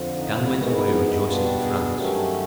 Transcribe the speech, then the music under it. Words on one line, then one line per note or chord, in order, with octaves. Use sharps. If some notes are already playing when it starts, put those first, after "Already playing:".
Gan went away rejoicing to France.
Already playing: F2 D3 F3
D#4
E4
E4
G#2 D#3 G#3 B3 F#4
E4
D#4
E4
B2 G3 B3 D4 F4
G4
G#4
G2 D#3 F#3 A3 C#4 G4